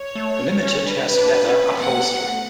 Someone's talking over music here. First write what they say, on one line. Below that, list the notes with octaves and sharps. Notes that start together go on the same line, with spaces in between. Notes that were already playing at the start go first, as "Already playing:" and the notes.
The Limited has leather upholstery.
Already playing: C#5
A3
C#4
C#4
D4 B4
D4
C#4
B3 F#5
A3
B3
A3